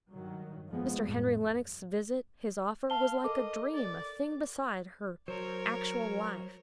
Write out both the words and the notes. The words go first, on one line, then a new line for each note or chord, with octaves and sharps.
Mr. Henry Lennox's visit--his offer--was like a dream, a thing beside her actual life.
G2 D#3 F#3
F2 F3 G#3 B3
G1 F2 A2
F5 A5 G7
A4 A#4 D#5 D6
D5
F#3 A#4 C5 C#5